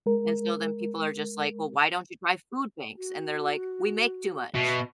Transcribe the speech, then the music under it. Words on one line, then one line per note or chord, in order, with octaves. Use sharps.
And so then people are just like, well, why don't you try food banks? And they're like, we make too much.
G#3 A#4
F#4
B2 E5